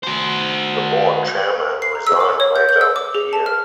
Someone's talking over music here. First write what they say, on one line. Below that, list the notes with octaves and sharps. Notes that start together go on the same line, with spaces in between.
The board chairman resigned later that year.
F#4 C5
C7
A#5
E6
D6
C#5
G6
G6
E6
D6
G#4
A5
F6